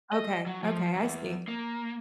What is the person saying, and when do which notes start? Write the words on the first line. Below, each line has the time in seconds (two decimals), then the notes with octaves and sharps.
Okay. Okay, I see.
0.13 D#5
0.46 F#3
0.63 F3
0.95 E2
1.48 A#3